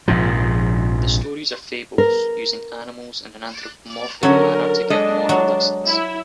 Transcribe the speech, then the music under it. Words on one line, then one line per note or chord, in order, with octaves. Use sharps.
The stories are fables, using animals in an anthropomorphic manner to give moral lessons.
A#1 G#2 C3 F3
A#4
D3 F#3 C#4 A4 A#4
G#3 D4 A4 D#5
F#3
E4